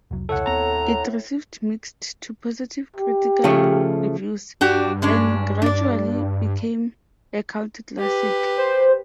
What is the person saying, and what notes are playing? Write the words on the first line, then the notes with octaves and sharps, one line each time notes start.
It received mixed to positive critical reviews, and gradually became a cult classic.
F1 C2 F#3
F1 C#2 A2 A4 C#5 F#5
D#2 B3 C4 A#5
G4
C#3 F3 A3
G2 D4 F#4 G4
G#3 C#4 D4
D4 D5
G4 B4
C5